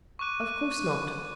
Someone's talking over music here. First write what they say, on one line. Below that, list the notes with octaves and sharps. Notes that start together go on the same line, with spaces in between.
"Of course not."
C#6 D6 F#6 D#7